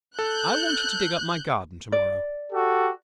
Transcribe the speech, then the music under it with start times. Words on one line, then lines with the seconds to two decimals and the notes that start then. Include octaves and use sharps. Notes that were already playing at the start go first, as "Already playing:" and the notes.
'I want you to dig up my garden to-morrow.'
0.19 A4 F#6 G6
1.92 D5
2.52 F#4 G4 A4